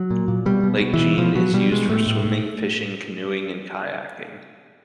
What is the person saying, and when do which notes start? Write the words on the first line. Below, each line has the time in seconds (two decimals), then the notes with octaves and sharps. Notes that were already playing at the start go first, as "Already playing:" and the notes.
Lake Jean is used for swimming, fishing, canoeing and kayaking.
Already playing: F#3
0.10 A#2
0.28 A#2
0.46 B2 G3
0.63 B2
0.81 B2
0.94 E3
0.99 B2
1.17 B2 F3
1.35 B2 F#3
1.54 B2 G3
1.71 B2 G#3
1.89 A2 A3
2.07 A2
2.25 A2